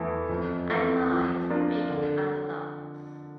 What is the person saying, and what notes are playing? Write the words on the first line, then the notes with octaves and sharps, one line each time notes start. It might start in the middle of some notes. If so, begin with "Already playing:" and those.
Akar is Greek Orthodox.
Already playing: E2 E3 A3 E4 A4
F2
E3 A3 C4
F3
A#3 D4 F4
D3